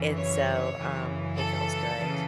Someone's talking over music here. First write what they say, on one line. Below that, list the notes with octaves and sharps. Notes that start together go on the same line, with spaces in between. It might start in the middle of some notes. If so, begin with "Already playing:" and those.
And so, um, it feels good.
Already playing: F#2 C#3 E3
C#5
F#2 C#3 E3
A4
C#3 E3